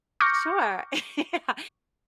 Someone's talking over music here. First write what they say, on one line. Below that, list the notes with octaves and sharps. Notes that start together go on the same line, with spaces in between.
Sure. Yeah,
C#6 D6 F6 G6 A#6 C#7